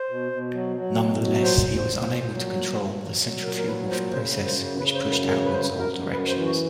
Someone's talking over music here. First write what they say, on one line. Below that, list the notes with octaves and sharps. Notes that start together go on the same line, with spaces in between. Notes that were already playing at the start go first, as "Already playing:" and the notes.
Nonetheless, he was unable to control the centrifugal process which pushed outwards all directions.
Already playing: C5
B2
B2
F#3
F#3
B2
F#3
A#2 C5
A#2
C5
A#2
A#2
F#3
A#2
A#2
F#3
F#3
A#2 A#4
A#4
F#3 B4
A#2 C5
C#3 C5
F#2
C5
C#3
C#3 B4
C5
F#2
B4
C#3 A#4
F#2 B4
C5
B4
F#2
A#4
F#2
F#2 B4
C5
E3
F#4